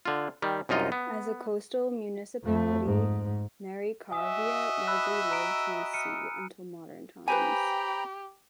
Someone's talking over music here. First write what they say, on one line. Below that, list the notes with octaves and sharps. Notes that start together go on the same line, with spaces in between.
As a coastal municipality, Merikarvia largely lived from the sea until modern times.
D3 F4
D#3 G3
C2 F#2 D#4 F4 D#5
B3
F2 A3
G#2
F#4 D#5 E5 G#5 D#6
B5 E6 F#6
A#5 D7
F6 C#7 D#7
G4 B4 C5 G5 G#5 A#5 B5